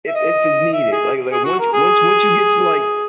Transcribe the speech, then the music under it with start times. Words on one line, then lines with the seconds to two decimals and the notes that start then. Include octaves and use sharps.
if if it's needed, like like, once once once you get to, like,
0.08 E5
0.15 D#5
0.73 E5
0.92 G#4
1.31 G#4
1.44 F#4
1.59 A#4
1.73 G#4